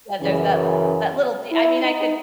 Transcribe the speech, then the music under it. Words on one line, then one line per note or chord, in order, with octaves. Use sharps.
Yeah, there's that that little de I mean, I could
F#2 C#3 E3
E4
D#4